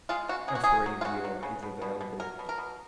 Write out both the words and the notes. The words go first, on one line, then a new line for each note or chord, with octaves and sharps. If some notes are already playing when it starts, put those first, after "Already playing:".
A free viewer is available.
G#3 F4
C#3 F#4
A#3 G#4
F#4
F#3 G#4
F#3
F4
C#3 F#4
F#3
C#3
B2
B2
B2
F#3 A#4
B2
A#4
B2